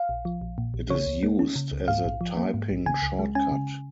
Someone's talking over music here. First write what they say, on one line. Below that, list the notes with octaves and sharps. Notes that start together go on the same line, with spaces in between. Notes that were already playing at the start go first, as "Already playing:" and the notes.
It is used as a typing shortcut.
Already playing: F5
A#1
F3
A#1
A#2
A#1
C#3 C#5
C#2
A#3
C#4
C#3
C#2
G#2 F5
A#1
F3
A#3
G#2
A#1
C#3 G#5
C#2
G#3
C#4 G#5
C#3